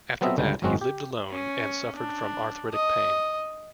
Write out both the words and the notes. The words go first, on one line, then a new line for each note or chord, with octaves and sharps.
After that, he lived alone and suffered from arthritic pain.
F#3 B3 C4 A4 D#5 E5
C#2 D3 G3
G#1 F#2 F#3 G#3 C4 F#4
G4
C#4
D4
D#5